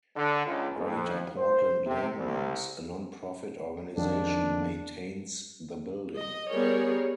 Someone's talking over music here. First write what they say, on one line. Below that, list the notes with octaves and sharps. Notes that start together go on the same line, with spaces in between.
Greater Portland Landmarks, a non-profit organization, maintains the building.
D3
C#2
F2
C5
C3
C2
F2 D#3 D4
D#5
G3 B3 G#4 A#4 C#5